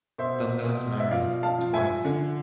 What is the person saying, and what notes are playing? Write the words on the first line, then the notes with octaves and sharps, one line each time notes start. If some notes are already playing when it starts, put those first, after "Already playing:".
Dundas married, twice.
B2 C5 E5
B2
E5
F3 D5 F5
F5 A5
F3
E5 G#5
D3